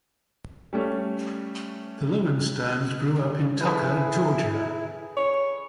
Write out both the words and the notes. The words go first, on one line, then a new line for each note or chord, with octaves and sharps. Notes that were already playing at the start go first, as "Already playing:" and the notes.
The Lowensteins grew up in Tucker, Georgia.
G3 A3 C#4
G3
E4 G#4 A4 B4
C#5